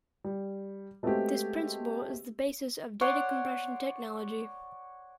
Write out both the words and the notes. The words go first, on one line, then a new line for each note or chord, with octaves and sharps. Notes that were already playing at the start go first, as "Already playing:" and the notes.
This principle is the basis of data compression technology.
G3
G#3 A3 B3 C4 F#4 G4
C#5 D5 F#5 C6